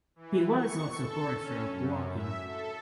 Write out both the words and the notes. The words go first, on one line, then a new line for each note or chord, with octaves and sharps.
He was also Forester of Woking.
E3
C#6
A4
C#4
F#2
E5
A4